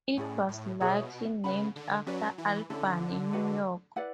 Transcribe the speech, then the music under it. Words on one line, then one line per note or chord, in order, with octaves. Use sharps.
It was likely named after Albany, New York.
A2 C#4 G#4 D5
A2
B2 E4 G#4 C#5 F#5
C#3 B4 F#5 B5
D3
F#3 C#4 F#4 B4 D5
E3
D3 C#4 E4 A4
D4 F#4 B4 F#5
E4 B4 D5 F#5